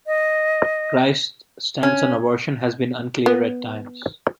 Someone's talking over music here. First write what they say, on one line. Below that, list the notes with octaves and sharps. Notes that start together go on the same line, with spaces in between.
Crist's stance on abortion has been unclear at times.
D#5
C#4
B3